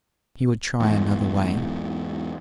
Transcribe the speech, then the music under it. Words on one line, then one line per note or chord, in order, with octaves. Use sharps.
He would try another way.
E2 G#2